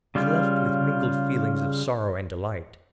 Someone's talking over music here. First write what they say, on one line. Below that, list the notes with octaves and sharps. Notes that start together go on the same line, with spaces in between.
I left with mingled feelings of sorrow and delight.
C#3 G3 F4